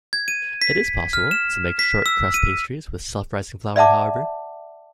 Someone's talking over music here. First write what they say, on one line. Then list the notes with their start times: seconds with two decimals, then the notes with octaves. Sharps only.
It is possible to make shortcrust pastry with self-rising flour, however.
0.13 G#6
0.28 D#7
0.62 B6
1.13 F6
1.31 E7
1.79 B6
2.06 E6
2.34 D#7
3.76 D5 E5 F#5 A5 D6